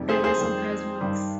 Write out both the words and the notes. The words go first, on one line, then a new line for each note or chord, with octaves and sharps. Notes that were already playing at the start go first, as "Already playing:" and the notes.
The vessel has max.
Already playing: F2 C3 D#3 G3
G#4 C5
G#4 C5
F2 D#3 G3
G2 D#3 G3